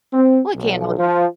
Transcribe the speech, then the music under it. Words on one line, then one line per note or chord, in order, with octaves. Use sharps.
Well, I can't hold you to
C4
B1
F3